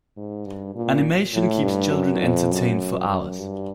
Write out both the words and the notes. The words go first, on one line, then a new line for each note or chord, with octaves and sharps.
Animation keeps children entertained for hours.
G#2
G2
A#2
A2
G2
F#2
F2
F#2
F#2
G2